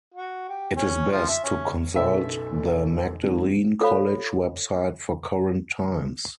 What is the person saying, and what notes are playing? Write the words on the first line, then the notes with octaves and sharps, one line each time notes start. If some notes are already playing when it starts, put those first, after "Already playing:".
It is best to consult the Magdalene College website for current times.
F#4
G4
C#4
F3
E5
C#4
B1 F#2 B2 A4 E5
G#1
F4 A4 C5 C#5 F5 B5